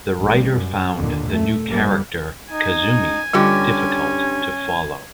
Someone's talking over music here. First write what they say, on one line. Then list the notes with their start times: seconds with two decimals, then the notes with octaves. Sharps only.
The writer found the new character Kazumi difficult to follow.
0.21 A1 G3
0.56 F#2
0.97 D#2 A#2 D3
1.30 A3
1.68 F#1 G3 A#3
2.52 D#4 G#5
3.33 G2 D3 G3 C#4 F4 G4